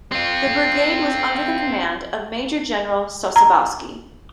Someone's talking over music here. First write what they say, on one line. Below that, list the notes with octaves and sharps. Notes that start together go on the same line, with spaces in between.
The brigade was under the command of Major General Sosabowski.
C4 F4
A#5